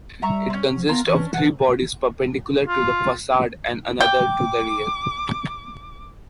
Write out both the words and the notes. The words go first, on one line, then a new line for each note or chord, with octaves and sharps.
It consists of three bodies perpendicular to the facade and another to the rear.
G3 E5 A#5 C#6
C4 C#4
F3
B3 F4 A#4 A5
E3 C#4 D4
E3 F#5 G5 A5
F4
G5 D6